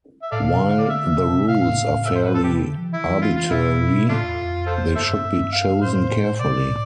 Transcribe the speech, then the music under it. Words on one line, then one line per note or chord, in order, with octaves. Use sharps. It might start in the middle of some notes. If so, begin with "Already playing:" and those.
While the rules are fairly arbitrary, they should be chosen carefully.
E5
A2 A4 D5 F5
B2
D3
D5
E5
C3
C3
C3 F5
A2
E5
C5
B4
A4
C3 G4
D3
F3
E3 E4
F4
F4
B2 E4
A2 A3 D4 F4
E2
F2
F4 A4 C5
G2 A4 C5 E5
G2
F5
A2 C5
C3 D5
A2